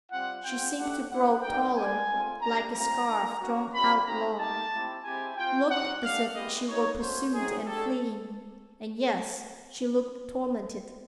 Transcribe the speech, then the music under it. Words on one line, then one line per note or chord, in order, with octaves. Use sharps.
She seemed to grow taller, like a scarf drawn out long; looked as if she were pursued and fleeing, and--yes, she looked tormented.
G3 C4 F4 F#5
G#3 C4 F4 G5
A3 D4 G4 F#5
B3 E4 G4 F#5
G3 A#3 D#4 G5
G3 A#3 D4 G#5
A3 C4 F4
A#3 D4 G4 A#5
G3 C4 F4 A#5
A#3 D4 F4
A#3 C#4 F#4
G3 C4 F4 B5
A3 C4 D#4 F#4 A#5
A#3 D#4 G4 A5
C4 E4 G4
G#3 C4 E4 G4 G#5
C4 F4 G5
G3 C4 D#4 F#4 F#5
A3 D4 G4 F5
G#3 B3 E4 G4 D#5
B3 D#4 F#4 C#5
A3 C#4 F#4 C5
C4 D#4 F#4 G#4
A3 D4 G4 A4